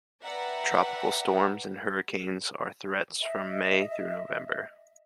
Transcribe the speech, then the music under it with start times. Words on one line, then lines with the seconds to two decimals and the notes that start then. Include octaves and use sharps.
Tropical storms and hurricanes are threats from May through November.
0.24 B4 D5 E5 F#5 G5 A#5
3.21 D#5 E5